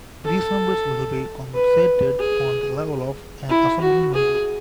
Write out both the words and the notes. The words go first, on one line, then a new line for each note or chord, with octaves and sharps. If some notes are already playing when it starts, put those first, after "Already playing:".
These members will be compensated on the level of an Assembly member.
A4
B4
G#4
E4
F#4
G#4